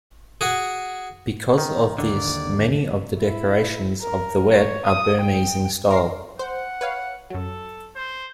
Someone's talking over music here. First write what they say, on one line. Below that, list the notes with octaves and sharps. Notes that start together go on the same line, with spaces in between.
Because of this many of the decorations of the wat are Burmese in style.
F#4 G#4
D#3
D#2 D3 D5
E4
A#4
C#5
D#6
G5
A#4 C7
C5 F#5
B4 C#5 F5
F#2 F#3 A4
C5